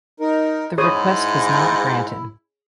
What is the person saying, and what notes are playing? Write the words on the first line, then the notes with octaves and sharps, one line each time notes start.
The request was not granted.
D#4 A#4
G#2 E4 G#4 C#5 D#6